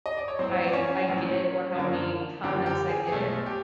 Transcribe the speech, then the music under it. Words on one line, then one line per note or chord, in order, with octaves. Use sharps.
I I get or how many comments I get.
D#5
D5
C#5
A#1 A2 F#3 C4 C5
D5
C#4 C#5
A#1 A2 F#3
F#2 D3 F3 A#3 D4
F#2 D3 F3 A#3 D4 G4
G4
G#4
G#4
B1 B2 G#3 A3 A4
G4